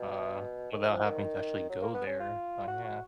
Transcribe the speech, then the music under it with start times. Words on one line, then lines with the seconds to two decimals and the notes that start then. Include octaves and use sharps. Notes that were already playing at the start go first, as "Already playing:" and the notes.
uh, without having to actually go there. So, yeah.
Already playing: B2
0.72 D#3
0.88 F3
1.04 D#3
1.70 F#3
1.82 A#3
1.94 B3
2.07 C#4
2.20 F4
2.68 F#4
2.84 F#4